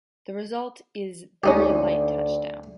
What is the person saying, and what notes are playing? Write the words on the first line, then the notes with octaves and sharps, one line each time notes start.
The result is very light touch down.
D2 C#4 D#4 G4 D5